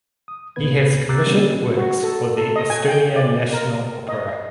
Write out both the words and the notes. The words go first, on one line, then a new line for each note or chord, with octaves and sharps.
He has commissioned works for the Estonian National Opera.
D#6
C#2 A#2 C#3 B3 B4 G#6
A#5 D6 E6 F#6 G6 A6
D3 G3 A#3 B3 C#4
F#4
A4
A4
D#5
G#5
G5
D5
A#4
D#5